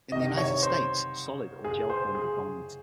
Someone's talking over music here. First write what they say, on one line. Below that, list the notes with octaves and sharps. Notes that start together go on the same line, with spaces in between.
In the United States, solid or gel forms are dominant.
C2 C3 D#3 D#5
C#5
C5
G#4
C5
G#4